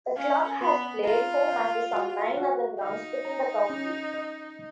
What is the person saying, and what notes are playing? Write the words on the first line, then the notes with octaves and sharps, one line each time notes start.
The club has played home matches on nine other grounds within the county.
C#4 F5
B3 B4
F4 A#5
F5
F#4
F#4
D#4 F5
A#5
C#4
D#5